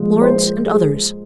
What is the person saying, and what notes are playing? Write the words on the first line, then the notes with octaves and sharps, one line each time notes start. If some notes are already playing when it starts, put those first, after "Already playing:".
Lawrence, and others.
Already playing: A#2 F3 G#3
C5
G#4